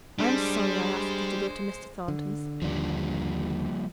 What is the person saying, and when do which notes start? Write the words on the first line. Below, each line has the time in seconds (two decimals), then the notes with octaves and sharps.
'I am sorry I asked you to go to Mr. Thornton's.
0.19 G3 G#3 D4 G#4 C5
2.08 D3
2.62 D#2 D3 F3 G3 A#3